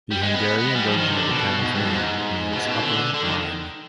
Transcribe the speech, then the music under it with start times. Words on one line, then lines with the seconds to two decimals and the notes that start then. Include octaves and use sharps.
The Hungarian version of the town's name means "Upper Mine".
0.11 G3
0.22 G#3
0.34 B3
0.59 B3
0.65 G#3
0.76 G3
0.86 F3
0.96 D#3
1.07 C3
1.12 D3
1.28 B2
1.59 G#2
1.74 G2
1.84 B2
1.90 G#2
2.52 B2
2.59 G#2
2.67 B2
2.82 D3
3.14 D3
3.24 D#3